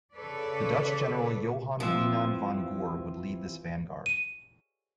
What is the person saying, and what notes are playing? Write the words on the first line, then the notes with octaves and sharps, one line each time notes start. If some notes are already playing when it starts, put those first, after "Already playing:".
The Dutch General Johan Wijnand van Goor would lead this vanguard.
C#3 A4 B4 C#5 D5
E3 F3 C4 E5
D#7